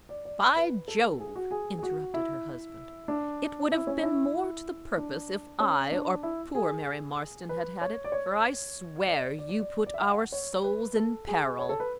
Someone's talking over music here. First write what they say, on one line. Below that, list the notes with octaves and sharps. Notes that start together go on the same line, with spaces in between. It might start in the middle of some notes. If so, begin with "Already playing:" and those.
"By Jove!" interrupted her husband, "it would have been more to the purpose if I, or poor Mary Marston, had had it; for I swear you put our souls in peril!"
D5
D5
B4
A4
G#4
F#4
G#4
G#4
F#4
E4
D4
E4
C#4
D4
E4
E4
D4
C#4
D4
E4
G#4
B4
C#5
D5
C#5
D5
D5
D5
D5
D5
E5
F#5
C#5
B4
A4
G#4
C#5
A4
B4